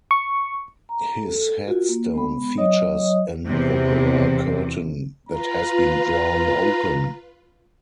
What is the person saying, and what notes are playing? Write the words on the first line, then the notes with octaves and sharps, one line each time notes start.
His headstone features an opera curtain that has been drawn open.
C#6
A#5
A4
F4 F#4 A#4
A#3
G#3 B3 B5
F#3 C#5 D#5 D#6
E2 C3
F4 B4 A#5